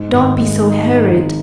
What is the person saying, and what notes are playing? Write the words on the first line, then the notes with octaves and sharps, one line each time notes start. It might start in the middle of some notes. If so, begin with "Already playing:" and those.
Don't be so hurried!
Already playing: G#2
G#1
G#3
D#4
G#2
G#1